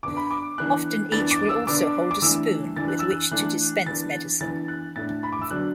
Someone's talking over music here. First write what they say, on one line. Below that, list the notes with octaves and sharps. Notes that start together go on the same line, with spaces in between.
Often each will also hold a spoon with which to dispense medicine.
D3 B3 D4 D6
B5
D6
E3 B3 D4 F#6
E3 B3 D4 A6
D6
E6
D3 B3 D4 D6
D6
E3 A3 D4 E6
E3 D4 A6
F#6
E6
F#6
E3 A3 D4 F#6
E3 B3 D4 A6
E3 B3 D4 A6
F#6
A2 A3 D4 A6
B5
D6
E6
D3 F#3 B3 D4 F#6